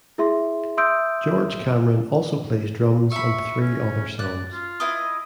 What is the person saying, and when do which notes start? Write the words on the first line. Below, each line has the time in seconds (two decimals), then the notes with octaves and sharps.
George Cameron also plays drums on three other songs.
0.18 E4 G#4 E5 C6
0.77 E5 C6 D#6 E6 G6 D7
3.12 E5 B5 C#6
3.62 C#4
4.19 D5 F#6
4.53 F4
4.80 E4 B4 D#5